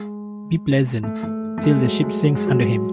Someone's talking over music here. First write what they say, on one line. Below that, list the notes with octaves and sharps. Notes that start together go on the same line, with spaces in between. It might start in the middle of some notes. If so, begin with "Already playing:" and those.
Be pleasant, till the ship sinks under him.
Already playing: G#3
A3
A3
A3
G#3
F#3
G#3
F#3
G#3
F#3